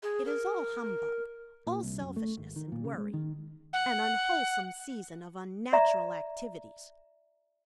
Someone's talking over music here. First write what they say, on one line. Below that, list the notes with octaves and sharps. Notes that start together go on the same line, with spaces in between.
It is all humbug,--all selfishness, and worry; an unwholesome season of unnatural activities.
G#4
A#4
A#2
C2
F#2
A3
G#1
D#3
A#2
C#3
G#3
D#3
F#5
D5 E5 A#5